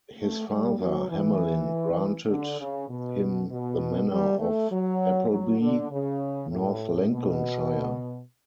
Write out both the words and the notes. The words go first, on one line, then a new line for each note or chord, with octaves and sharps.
His father Hamelin granted him the manor of Appleby, North Lincolnshire.
A3
G3
F#3
E3
D3
C#3
B2
B2
G3
A3
F#3
F#3
D3
C#3
A2
B2